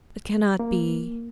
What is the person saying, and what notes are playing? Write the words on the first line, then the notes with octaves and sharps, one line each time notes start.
It cannot be.
A#3